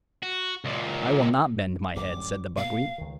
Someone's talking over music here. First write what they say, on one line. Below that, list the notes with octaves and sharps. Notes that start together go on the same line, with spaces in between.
"I will not bend my head," said the buckwheat.
F#4
C#2 A#2
D1 F#2 G3 D6
B2 A3 A#3 F5
C#2 D#3